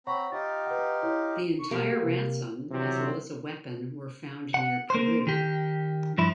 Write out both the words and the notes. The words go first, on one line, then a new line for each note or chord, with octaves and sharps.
The entire ransom as well as a weapon were found near Peru.
C4 C#5 F#5 A#5 B5 C#6
D#4 F4 G4 A6
B4 F#5
E4 C#5
C#6
B2 A#3 G4
F#4
C3
C3 E3 F#3 C4
F#5
A#3 C5
D#3 G4
G2 F3 E4